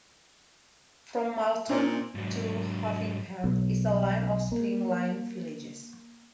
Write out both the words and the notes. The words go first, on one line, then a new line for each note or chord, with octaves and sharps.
From Malton to Hovingham is a line of spring line villages.
A#2 C4 D4 D#4
G#2 F#3
B1
A#3